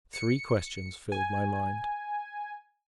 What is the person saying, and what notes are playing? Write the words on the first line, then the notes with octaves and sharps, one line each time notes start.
Three questions filled my mind.
C#7
G#5